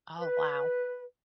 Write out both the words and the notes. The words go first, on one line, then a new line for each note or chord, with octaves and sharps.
Oh, wow.
B4